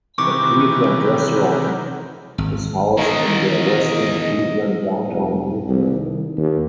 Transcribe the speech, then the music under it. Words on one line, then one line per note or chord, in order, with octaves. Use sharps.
The Cleveland restaurant is housed in the Westin Cleveland Downtown Hotel.
C3 D#3 E3 C#6 D6
G#1
B2 D#3 E3 D#5
F1
C2
D#3
D#2